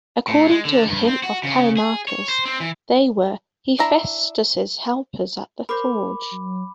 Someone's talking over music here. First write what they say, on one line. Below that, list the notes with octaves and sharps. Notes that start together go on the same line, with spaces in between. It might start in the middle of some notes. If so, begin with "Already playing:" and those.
According to a hymn of Callimachus, they were Hephaestus' helpers at the forge.
A2
G#3
D3
G2
C4
F#4
C#3
G#4
C#5
C5
C4
E3
D4 E4 A#5
A#4 C5 B5 D6
F#3